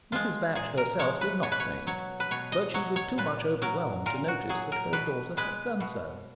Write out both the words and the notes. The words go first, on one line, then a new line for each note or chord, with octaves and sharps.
Mrs. Batch herself did not faint, but she was too much overwhelmed to notice that her daughter had done so.
F3 G#3 F4
A#2 G#4
A#4
F3 G#3 C#5
B4
B2 C#5
B4
C#5
F#3 C#5
B4
B2 C#5
D#5
F#3 C#5
C#5
A#2 B4
F#3 A#4
A#2 A#4
F#4
F#3 G#4
A#4
B2 B4
G#3 B4
B2